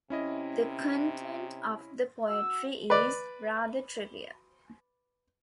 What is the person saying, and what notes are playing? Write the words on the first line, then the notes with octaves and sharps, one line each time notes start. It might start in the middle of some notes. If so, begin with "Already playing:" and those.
The content of the poetry is rather trivial.
C3 C#4 E4 D#5
F#4 E6
B4 D5